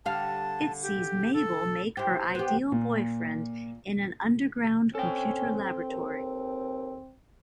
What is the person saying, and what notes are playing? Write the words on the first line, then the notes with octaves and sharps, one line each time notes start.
It sees Mabel make her ideal boyfriend in an underground computer laboratory.
D3 G3 F5 A5
G4
A4
E4 G4 C5
B3 G4
A#2
C4 C#4 A4 G5
D#2